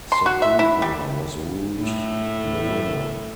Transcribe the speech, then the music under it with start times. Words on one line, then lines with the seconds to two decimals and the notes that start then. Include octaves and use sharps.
Sapulpa was ruled the winner.
0.12 C6
0.26 F#4
0.42 E5
0.59 E4
0.82 G3
1.80 A2 A3